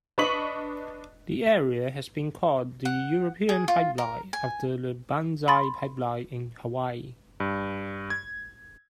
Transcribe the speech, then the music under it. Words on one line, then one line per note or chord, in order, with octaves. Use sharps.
The area has been called the "European Pipeline", after the Banzai Pipeline in Hawaii.
D4 B4 D#5 C#6 B6 F#7
F#5
G#4
F4
A#4
G#5
B5 C6 A6
G2
G#6